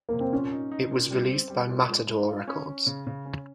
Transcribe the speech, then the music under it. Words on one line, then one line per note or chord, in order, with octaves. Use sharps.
It was released by Matador Records.
C3 A#3
C4
A#2 C#4
D#4
D#4
A#2
G3
C4
G3
A#2
G#3
G#3
F4
C#4
C#4
C#3
C#3
C#4